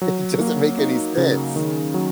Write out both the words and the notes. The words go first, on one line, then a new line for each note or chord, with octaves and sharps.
It doesn't make any sense.
F#3
A#3
D#4
C#3
D#3
F#3